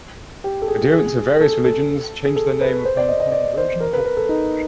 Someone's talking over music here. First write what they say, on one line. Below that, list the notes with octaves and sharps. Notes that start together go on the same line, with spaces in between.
Adherents of various religions change their name upon conversion or confirmation.
G4
A4
G#4
G#4
A4
A4
G#4
A4
B4
C5
D5
D#5
D#5
D5
C5
A#4
B4
A#4
A4
D#4